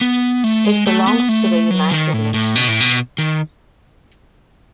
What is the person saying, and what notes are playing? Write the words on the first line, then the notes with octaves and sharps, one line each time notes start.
It belongs to the United Nations.
B3
A3
G#3
A3
B3
A3
F#3
D#3
A2
A2
B2
A2
B2
D#3